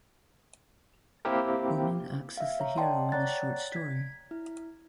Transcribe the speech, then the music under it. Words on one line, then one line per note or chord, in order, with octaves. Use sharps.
Bumin acts as the hero in this short story.
A#3 C4 E4 G4 A#4
E5 F5
C#5 A#5
D5 D#5 F#5 G5 A5 C6
C#5 D5 F#5 A#5 F#6 A6
G#6 B6
E4